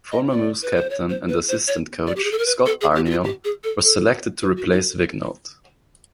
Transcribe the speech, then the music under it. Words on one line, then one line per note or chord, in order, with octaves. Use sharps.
Former Moose captain and assistant coach Scott Arniel was selected to replace Vigneault.
D#5
D5
B4
C5
C#5
C5
B4
C5
C#5
D5
G4
G#4
A4
A#4
B4
A4
G#4
G4
F#4
F4
G4
G#4
A4
A4
B4
F#4
D#4